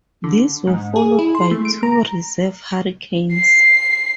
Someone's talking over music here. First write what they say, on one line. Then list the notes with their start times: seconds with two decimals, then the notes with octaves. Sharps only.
These were followed by two reserve Hurricanes.
0.24 D3
0.67 G#2
0.96 G#4
1.19 E4
1.35 C6
1.51 A3
1.65 D7
1.83 A#5
3.33 C7